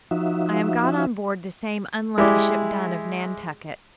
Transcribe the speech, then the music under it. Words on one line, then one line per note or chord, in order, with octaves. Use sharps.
I am got on board the same unlucky ship Done, of Nantucket.
F3 D#4 F#4 E5
G#3 E4 G4 D5